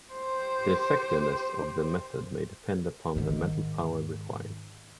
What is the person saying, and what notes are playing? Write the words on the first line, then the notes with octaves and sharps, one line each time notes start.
The effectiveness of the method may depend upon the mental power required.
G4 C5
G#2 D#3